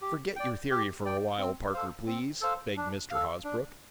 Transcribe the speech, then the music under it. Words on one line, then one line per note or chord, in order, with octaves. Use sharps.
"Forget your theory for a while, Parker, please," begged Mr. Hosbrook.
G4
D5 G5
G4
D5 G5
C4
A4 C5 F5
C4
A4 C5 F5
D4
A4 F5
D4